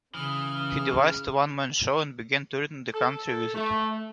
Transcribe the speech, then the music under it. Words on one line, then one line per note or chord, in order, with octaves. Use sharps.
He devised a one-man show and began touring the country with it.
C#3 E3 D#6 F6
A4
A3